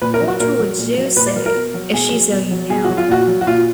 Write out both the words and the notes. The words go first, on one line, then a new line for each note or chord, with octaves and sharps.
What would Jo say if she saw you now?
A#2 B4
A#4
F#3
F#4
A#2 A#4
F#3
A#2
F#3
A#2 B4
D5
F#3 A#4
A#4
B2
F#3
B2 G#4
F#3
B2
F#3
B2 G#4
F#3 F#4
F4
A#2 F#4
F#3
F#4
A#2 F4